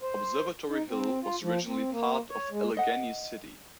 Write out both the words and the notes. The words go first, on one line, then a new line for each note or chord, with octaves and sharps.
Observatory Hill was originally part of Allegheny City.
C5
D#4
C4
F4
F3
C4
A#3
C#5
G#3
D#5 F#5